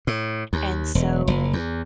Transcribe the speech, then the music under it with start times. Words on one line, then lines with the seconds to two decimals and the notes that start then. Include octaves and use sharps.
and so,
0.07 A2
0.53 D#2
0.95 E1
1.27 F#1
1.53 E2